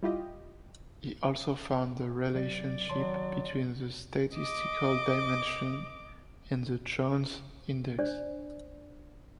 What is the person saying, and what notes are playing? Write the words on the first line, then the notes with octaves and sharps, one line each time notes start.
He also found the relationship between the statistical dimension and the Jones index.
G3 E4 F4 G4 D#5
D2 F#3 C4 D5
G2 D#3 F#3 C#5 A5 C6
D#5 D6
D4 C5 D5